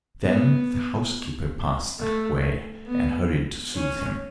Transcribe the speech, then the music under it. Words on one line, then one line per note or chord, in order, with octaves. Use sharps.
Then the housekeeper passed that way, and hurried to soothe him.
B3
A3
B3
C#4